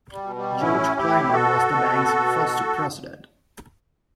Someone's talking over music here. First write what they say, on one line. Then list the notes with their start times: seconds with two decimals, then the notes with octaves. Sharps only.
George Clymer was the bank's first president.
0.11 G3
0.23 B2
0.36 G3
0.60 A2 C#4 E4
0.97 A2 E4 G4
1.33 B2 F#4 A4
1.70 B2